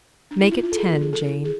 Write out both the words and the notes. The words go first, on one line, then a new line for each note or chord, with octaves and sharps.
"Make it ten, Jane."
D4
E4
F4
F4
A4
G#4
D3 F3 B3 F4
G#4
A4
E4
G#4